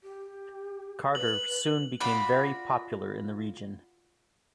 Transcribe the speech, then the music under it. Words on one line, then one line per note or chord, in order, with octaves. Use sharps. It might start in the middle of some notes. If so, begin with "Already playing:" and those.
Carter soon became very popular in the region.
G4
B4 F#7
F4 F#4 D5 B5